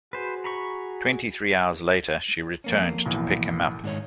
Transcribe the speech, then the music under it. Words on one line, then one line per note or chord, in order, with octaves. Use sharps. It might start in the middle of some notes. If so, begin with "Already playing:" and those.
Twenty-three hours later, she returned to pick him up.
F#4 G#4 B4 C5
A#5 B5 C#6
F2 A#3 C#4
B1 E2 A2
G#2 D#3 C#5